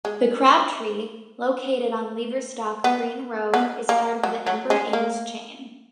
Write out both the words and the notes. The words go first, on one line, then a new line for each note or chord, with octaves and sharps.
The Crabtree, located on Leverstock Green Road, is part of the Ember Inns chain.
G#3
B3
B3
A#3
F#3
F#3
G#3
A#3